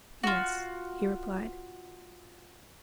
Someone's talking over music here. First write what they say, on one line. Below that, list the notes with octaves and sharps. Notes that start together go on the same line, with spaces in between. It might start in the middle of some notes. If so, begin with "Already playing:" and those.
"Yes," he replied.
F4 F#4